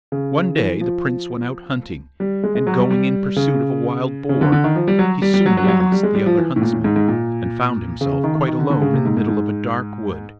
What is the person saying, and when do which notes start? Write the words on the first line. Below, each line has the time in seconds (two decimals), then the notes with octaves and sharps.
One day the Prince went out hunting, and going in pursuit of a wild boar he soon lost the other huntsmen, and found himself quite alone in the middle of a dark wood.
0.12 C#3
0.57 E3
0.81 F3
2.20 G3
2.43 G#3
2.55 G#3
2.67 F#3
2.78 G3
2.90 G3
3.36 C#3
4.29 C#3
4.41 D3
4.52 D3
4.64 D#3
4.76 F3
4.88 G3
4.99 F#3
5.22 G3
5.34 G3
5.46 F#3
5.57 F#3
5.64 G3
5.68 F#3
5.80 F#3
5.92 G3
6.03 G#3
6.15 G3
6.26 F3
6.38 E3
6.56 A2
6.61 A#2
6.73 A2
6.84 G#2
6.96 G#2
7.08 A#2
8.01 C#3
8.12 C#3
8.24 D#3
8.35 D#3
8.48 D#3
8.59 D3
8.70 D3
8.82 C#3
8.94 C3
9.05 G#2
9.17 G#2
9.28 G#2